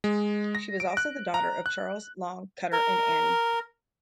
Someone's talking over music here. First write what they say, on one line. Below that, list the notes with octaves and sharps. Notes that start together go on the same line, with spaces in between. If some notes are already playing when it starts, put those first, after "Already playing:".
She was also the daughter of Charles Long Cutter and Annie.
G#3
A#6
D7
F#6
A#5
F#6
A#4